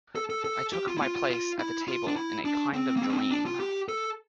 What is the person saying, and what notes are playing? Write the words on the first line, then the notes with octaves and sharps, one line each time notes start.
I took my place at the table in a kind of dream.
A4
A4
A4
G4
F4
E4
F4
F4
F4
E4
F4
D4
E4
D4
C4
A#3
C4
D4
C4
D4
F4
G4
A4